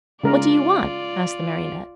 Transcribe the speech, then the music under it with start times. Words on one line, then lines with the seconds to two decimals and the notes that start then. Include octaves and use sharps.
"What do you want?" asked the Marionette.
0.24 C#3 G#3 F4 A#4 D5